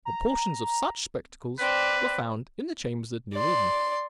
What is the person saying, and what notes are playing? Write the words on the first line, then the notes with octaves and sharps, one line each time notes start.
But portions of such spectacles were found in the chambers at New Inn.
A#5
C4 B4 D5
D5 C6